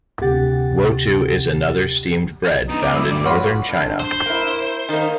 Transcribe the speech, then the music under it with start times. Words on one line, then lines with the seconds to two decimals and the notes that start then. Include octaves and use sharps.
Wotou is another steamed bread found in northern China.
0.21 D2 C3 G4 F#5 A6
2.68 F#2 B3 D#4
2.82 D5
2.94 G2 E4
3.11 D5
3.26 F4 F#4 B4 C#5
3.69 G2
4.00 C5
4.26 A#3 E4
4.89 D#3 A#3